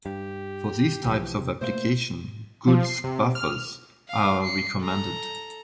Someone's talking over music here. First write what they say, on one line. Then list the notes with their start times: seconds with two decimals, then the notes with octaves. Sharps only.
For these types of applications, Good's buffers are recommended.
0.06 G2 G4
1.06 C2 E3 F3
1.38 E2 C3
1.61 B2 A3 A#3 C5
2.68 F3
2.85 C7
3.04 C3
3.35 F6
4.09 F5
4.43 C7 C#7
4.81 A4 A#5